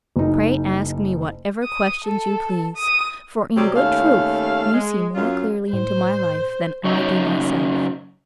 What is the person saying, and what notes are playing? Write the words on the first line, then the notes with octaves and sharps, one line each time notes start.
"Pray ask me whatever questions you please; for, in good truth, you see more clearly into my life than I do myself."
F#1 D#4
D#6
A4
D#6
C3 F#3 G3 C4 G4
D#2 A3 C#4 F5
G#3
F#2 F4
A2 C5
F#2 C#3 F#3 C#4 D#4